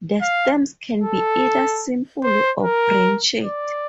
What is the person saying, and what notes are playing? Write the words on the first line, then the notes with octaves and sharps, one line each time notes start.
The stems can be either simple or branched.
F5
A4
C5
A#4
D5